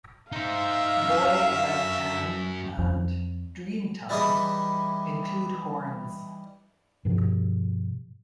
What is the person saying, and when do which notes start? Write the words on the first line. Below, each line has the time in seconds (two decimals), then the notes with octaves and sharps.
"Boy About Town" and "Dream Time" include horns.
0.32 D#4 C5 E5 F5
1.03 F#2
2.79 F2
4.09 E3 G3 D#4 E4 G#4 D#6
7.05 G2 B2 F3